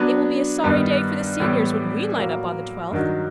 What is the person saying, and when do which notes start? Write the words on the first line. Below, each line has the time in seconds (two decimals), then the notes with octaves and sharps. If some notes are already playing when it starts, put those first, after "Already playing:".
"It will be a sorry day for the seniors when we line up on the twelfth."
Already playing: F#3 B3 D4
0.64 G2 D#3 G3 B3
1.40 A2 E3 G3 B3
2.16 A2 F#3 A#3
2.91 G2 D#3 F#3